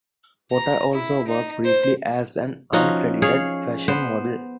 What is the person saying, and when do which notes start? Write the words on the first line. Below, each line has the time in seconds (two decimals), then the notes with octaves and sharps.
Potter also worked briefly as an uncredited fashion model.
0.52 A#5
0.94 E4
1.28 D#4
1.64 C5
2.73 F3 C#4 D#4 F#4
3.22 G#4 C#5 F5
3.88 B3 C5